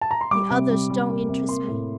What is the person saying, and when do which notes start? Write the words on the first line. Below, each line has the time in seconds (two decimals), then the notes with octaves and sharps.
"The others don't interest me."
0.01 A5
0.11 A#5
0.21 C6
0.31 G3 D6
0.50 C3
0.70 G3
0.90 G3
1.10 A#3
1.29 C3
1.49 A#3 C6
1.68 A2